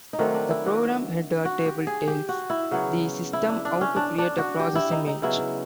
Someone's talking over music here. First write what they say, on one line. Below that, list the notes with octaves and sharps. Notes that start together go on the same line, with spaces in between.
The program header table tells the system how to create a process image.
D#4
D#3 F#3 A3 C4 D4
D4
E4
F#4
F#4
G4
G#4
G4
F#4
E4
C#3 F#3 B3
E4
D4
D4
C#4
D4
D4
F#4
G4
E4
D#4
D#4
C#3 F#3 B3 E4